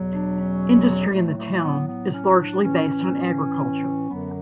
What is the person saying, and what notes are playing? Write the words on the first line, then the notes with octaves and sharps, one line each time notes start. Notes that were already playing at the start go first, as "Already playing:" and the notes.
Industry in the town is largely based on agriculture.
Already playing: E2 B2 F#3
D4
C#4
G3
A2 F#3 A3
A3
B3
B3
C#4
D4
A2 E3 C#4
F#2 D3 F#3 B3